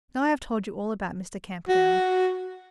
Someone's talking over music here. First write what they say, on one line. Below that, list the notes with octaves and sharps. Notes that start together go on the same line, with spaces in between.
"Now I have told you all about Mr. Camperdown."
F#4